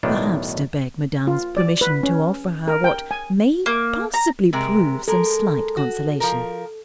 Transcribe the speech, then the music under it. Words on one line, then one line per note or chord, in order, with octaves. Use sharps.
"Perhaps to beg madame's permission to offer her what may possibly prove some slight consolation."
B1 A2 D#3 D4
F4
D5
B4
C#4
A#4
G5
G#5
A#3
A#5
C3 G#3 A#4
G#3 A4 A#4
F#4
F3 A#4